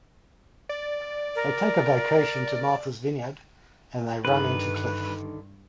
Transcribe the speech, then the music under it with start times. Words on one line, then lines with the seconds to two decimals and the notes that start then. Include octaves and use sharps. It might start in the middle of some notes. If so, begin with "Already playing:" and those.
They take a vacation to Martha's Vineyard and they run into Cliff.
0.69 D5
1.35 A#4
4.25 G2 D3 D#3 B4